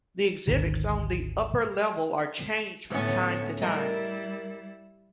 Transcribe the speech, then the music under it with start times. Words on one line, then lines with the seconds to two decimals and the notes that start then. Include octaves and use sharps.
The exhibits on the upper level are changed from time to time.
0.48 G#1 D2 D#3
2.90 D2 A2 B3 C#4
3.62 G3 E4 A#4 D#5